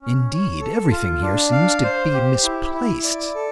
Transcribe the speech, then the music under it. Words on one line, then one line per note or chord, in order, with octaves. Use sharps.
Indeed, everything here seems to be misplaced.
C#4
C#5
A4
F4
D4
F5
C5
G4
E4
E4
D5
A4